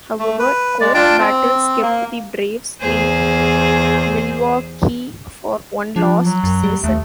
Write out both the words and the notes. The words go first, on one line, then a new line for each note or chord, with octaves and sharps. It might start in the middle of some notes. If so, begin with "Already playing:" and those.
However, court battles kept the Braves in Milwaukee for one last season.
A3
B4
G#3 D5
D4 F4 G5 A5
C4
A#3
E2 G#4 C5
F3 D4
F#3
F#2
G3
D#2 A3